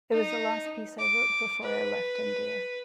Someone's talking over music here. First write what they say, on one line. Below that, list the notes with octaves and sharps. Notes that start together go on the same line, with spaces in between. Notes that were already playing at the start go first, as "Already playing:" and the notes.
It was the last piece I wrote before I left India.
D#4
D6
B4